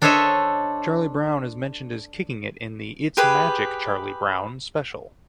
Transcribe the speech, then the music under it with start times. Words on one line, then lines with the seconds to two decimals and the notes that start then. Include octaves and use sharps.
Charlie Brown is mentioned as kicking it in the "It's Magic, Charlie Brown" special.
0.02 D4 A4 C5 C#5 D#5 E5
3.17 G4 G#4 B4 B5